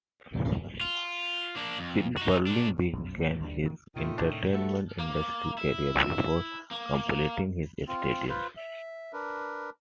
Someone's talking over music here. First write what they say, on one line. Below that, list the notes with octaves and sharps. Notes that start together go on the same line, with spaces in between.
Silberling began his entertainment industry career before completing his studies.
F4
A#3 D4
F2
D#4 F#4
A#2 D4
B1 F#2
A2 D#3 F3 F#3
D#2 G3 G#3 D4
D#3 F3 A#3
A2 C3 D#3 A3 C#4 F4
D4
A3 F#4 A4 B4
A#3
E4
A#3
C4 F4
F4 B4 C5
E5
D4 A#4 B4